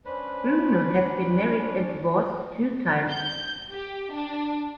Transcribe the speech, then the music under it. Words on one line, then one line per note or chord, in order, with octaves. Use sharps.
Bruno has been married and divorced two times.
C#4 D4 B4 C5
G6
G4
D4